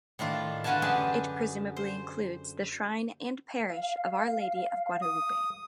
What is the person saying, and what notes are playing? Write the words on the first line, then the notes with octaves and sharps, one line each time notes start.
It presumably includes the shrine and parish of Our Lady of Guadalupe.
A2 D#3 D4 F4
D3 F4 F#4 B4 G#5 A5
F#2 D4 G4 G#4 G#5 A5
C5
F5
D#6